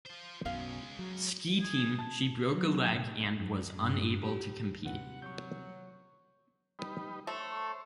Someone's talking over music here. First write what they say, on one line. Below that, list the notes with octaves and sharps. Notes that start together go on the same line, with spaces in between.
Ski Team, she broke a leg and was unable to compete.
F4 C5
B1 F#2 B2 G#3 C#4 F5
F#3
G#4
A5
F#3
A2
F#2
G2
G4
D#2 A2 C3 E3 G3 F#5
F#3 C#6 G6
G3 D#4 B4
A3 A4 C5 C#5